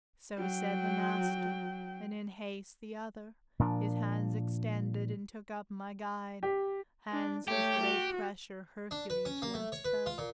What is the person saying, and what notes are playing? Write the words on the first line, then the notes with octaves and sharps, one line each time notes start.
So said the Master; and in haste the other His hands extended and took up my Guide,-- Hands whose great pressure Hercules once felt.
F#3 G5
A#2 F3 D4
G4
D4
A3 G4 C#5
F#4
D4
B4
C#4
A#3
A3
C#5
B4
F4
A#2